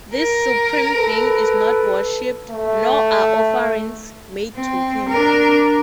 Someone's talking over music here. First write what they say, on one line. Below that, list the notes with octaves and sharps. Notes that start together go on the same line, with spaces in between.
This supreme being is not worshiped, nor are offerings made to him.
A#4
A4 B4
A3
C4
D4 A#4